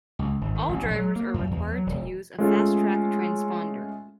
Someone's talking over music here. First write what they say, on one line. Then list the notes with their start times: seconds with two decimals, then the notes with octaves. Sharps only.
All drivers are required to use a FasTrak transponder.
0.19 C#2
0.41 G#1
0.55 D#3
0.69 A1
0.83 A#1
0.95 F#3
1.16 A#3
1.34 F#2
1.51 E2
1.72 F#3
1.86 E1
2.38 G#3 A3 C#4 F4 G#4 A4